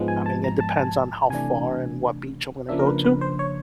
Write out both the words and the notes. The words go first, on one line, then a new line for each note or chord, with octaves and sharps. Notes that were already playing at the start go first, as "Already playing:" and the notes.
I mean, it depends on how far and what beach I'm gonna go to.
Already playing: G#2 F3 G#3 B3
G#5
A5
A#5
A5
G#5
A5
C3 E3 A3 D4 G#5
C#3 F3 A#3 D4 E5
A#4
B4
B4
C5
C#5